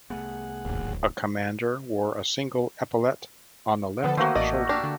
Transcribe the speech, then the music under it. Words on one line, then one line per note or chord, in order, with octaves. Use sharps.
A commander wore a single epaulette on the left shoulder.
C2 A3 B3 G#4 F#5
D1 G#1 D#2
D3 F3 B3 A4
D#3 A3 A#3 F#4 C5 E6
A1 D5 D#5 D#6
D4 G4 F5
D3